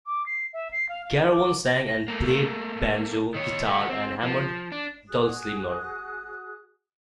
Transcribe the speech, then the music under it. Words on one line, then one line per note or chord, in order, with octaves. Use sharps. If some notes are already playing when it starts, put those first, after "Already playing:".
Carawan sang and played banjo, guitar, and hammered dulcimer.
D6
C7
E5
C7
F5
F5
D6
A#6
A#6
A3 A#3
D#3 C#5
A3 F#4
C4
F3
D4
F#4 G#4 D#6 F#6